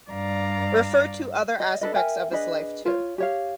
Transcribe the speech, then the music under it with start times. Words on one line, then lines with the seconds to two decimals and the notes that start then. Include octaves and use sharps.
Refer to other aspects of his life too.
0.11 G2 D5 F5 A#5
1.60 D#5
1.81 D4 A4 B4 D#5
1.95 A#4 E5 G5 G#5
2.31 D4 G#4 B4 D#5
2.86 F4 C#5
3.18 G4 C#5 F5